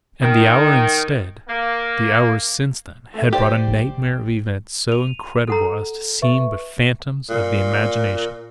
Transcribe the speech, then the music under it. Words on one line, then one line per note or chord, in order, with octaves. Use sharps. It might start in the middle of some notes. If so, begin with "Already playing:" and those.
And the hour instead, the hours since then, had brought a nightmare of events so incredible as to seem but phantoms of the imagination.
D#3
A#3
A3 E5
G4 C5 D5 G5
A#1
D#7 F7
A4 F#5 A#5
B4 E5 C#6
A#2